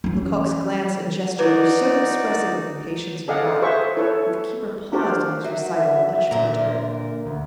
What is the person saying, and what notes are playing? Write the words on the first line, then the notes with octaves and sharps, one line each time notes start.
Lecoq's glance and gesture were so expressive of impatience and wrath that the keeper paused in his recital much perturbed.
E3 C#4
D#4 E4 F#4 B4 D5
G#4 A4 D5 D#5 F5 F#5
G#4 B4 C5 E5 C#6
E4 A4 B4 C#5
D4 F#4 G4 A#4 C5 D5
F#3 E5
E5
A#2 D3 A#4
D2